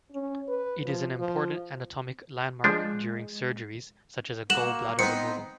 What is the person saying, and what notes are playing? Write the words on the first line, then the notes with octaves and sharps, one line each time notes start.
It is an important anatomic landmark during surgeries such as gall bladder removal.
C#4
B4
F3
F3
F3 G#3 D4
A#3 F#4 E7 F#7
B3 C4 D#4 C#7